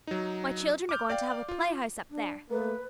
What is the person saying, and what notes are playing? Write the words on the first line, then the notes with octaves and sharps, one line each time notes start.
My children are going to have a play-house up there.
F#3 D#4
D6 F6 G6
D5 F5 G5
F4
D4
A3 A#3 B4